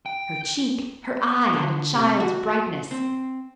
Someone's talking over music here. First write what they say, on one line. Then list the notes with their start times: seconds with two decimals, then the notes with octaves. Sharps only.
Her cheek, her eye had a child's brightness.
0.06 G5
1.54 D3
1.95 C3
2.20 F#4
2.91 C4